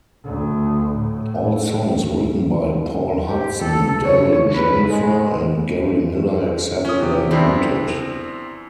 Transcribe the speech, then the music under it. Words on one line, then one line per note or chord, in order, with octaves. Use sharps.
All songs written by Paul Hudson, Darryl Jenifer, and Gary Miller except where noted.
D2
A2
G4
A4
C#5
B4
G#3
F3 C#4 D#6
C3 G4
E2 C4 D4 E4 C5